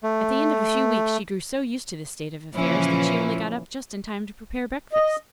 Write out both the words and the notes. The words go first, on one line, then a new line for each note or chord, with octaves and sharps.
At the end of a few weeks she grew so used to this state of affairs that she only got up just in time to prepare breakfast.
A3
A#2 C#3 E3 F3 C#4 E4
D#5